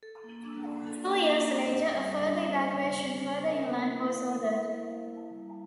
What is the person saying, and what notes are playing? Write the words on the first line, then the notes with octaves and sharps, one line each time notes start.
Two years later a further evacuation further inland was ordered.
A4
A#3
D4
D5
A4
A#3
D4
D5
G4
G3
D4
C5
G4
G3
D4
C5
A#4
A#3
E4
F5
A#4
A#3
E4
F5
E4
G3